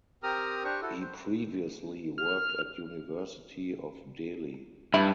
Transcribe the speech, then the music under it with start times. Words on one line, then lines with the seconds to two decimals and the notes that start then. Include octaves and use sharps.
He previously worked at University of Delhi.
0.23 C4 G4 A#4 A#5 D#6 F6
0.64 D4 G4 C5 C#6
0.81 E4 F#4 A4
1.01 C5
2.18 F6
4.94 G2 E4